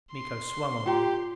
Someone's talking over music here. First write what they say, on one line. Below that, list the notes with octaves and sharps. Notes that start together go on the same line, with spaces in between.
Miko swung on me.
C6
F4 G4 G5 A#5